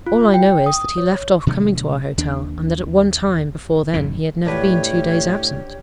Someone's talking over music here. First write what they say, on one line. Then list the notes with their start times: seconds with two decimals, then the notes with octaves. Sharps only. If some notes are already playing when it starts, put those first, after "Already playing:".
All I know is, that he left off coming to our hotel, and that at one time before then he had never been two days absent.'
0.06 F4
0.34 G5
0.66 D#6
0.98 C#5
1.47 B2 D3 F#3 A3
2.18 D#2 D4
3.94 A1 F#2 A2 D#3
4.46 A2 D4 F#4 G4 B4 C#5